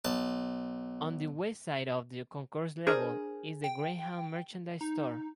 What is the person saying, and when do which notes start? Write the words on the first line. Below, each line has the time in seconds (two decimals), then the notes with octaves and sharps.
On the west side of the concourse level is the Greyhound merchandise store.
0.05 B1 A5
2.87 D4 G#4 A#4 C5
3.64 G5
4.81 D#4